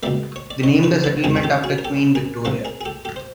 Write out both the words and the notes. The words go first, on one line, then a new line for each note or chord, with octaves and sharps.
They named the settlement after Queen Victoria.
C#2 B2 G3 A#3 D5 E5
C#5
D5
C#5 D#5
B4 C#5
A4 B4
F2 C#3 F3 G#3 G#4 A#4
G#4
G4 A4
F#4 G#4
A#4
G4 A4
G#4 A#4
C3 F3 A#3 C#4 A4 B4
G#4 A#4
G#4
G4 A4
G4 A4
C5